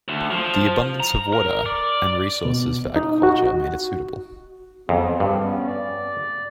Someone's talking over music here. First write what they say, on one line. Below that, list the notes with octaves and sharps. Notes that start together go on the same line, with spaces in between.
The abundance of water and resources for agriculture made it suitable.
D2
F3
A#5
A#4
D5
B2
D#4
F#4
F2 F#3 B3 G#4
C4
G2
B3 C#4
D5